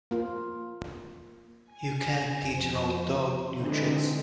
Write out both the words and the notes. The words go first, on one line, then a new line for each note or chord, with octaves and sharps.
You can't teach an old dog new tricks.
A#3 F4
G#5
F2 F3 C5
D3 E3 G#3 C4 D#4